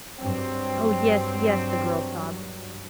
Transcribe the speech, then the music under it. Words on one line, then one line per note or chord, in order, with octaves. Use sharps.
"Oh, yes, yes," the girl sobbed.
G2 F#3 C4